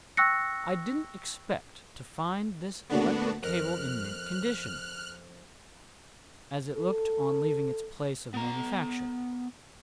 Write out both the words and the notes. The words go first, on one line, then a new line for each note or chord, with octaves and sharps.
I didn't expect to find this electric cable in mint condition, as it looked on leaving its place of manufacture.
G5 C#6 E6 F#6 A#6 C#7
D2 A#2 D3 B3 D4 F#4
F2 A#4 F6 F#6
A4
B3 A#5